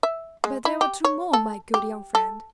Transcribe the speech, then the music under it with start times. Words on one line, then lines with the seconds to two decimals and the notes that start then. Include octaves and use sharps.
"But there were two more, my good young friend!"
0.03 E5
0.44 G#3
0.65 E4
0.81 G4
1.04 C#5
1.33 A4
1.74 G4
2.15 A4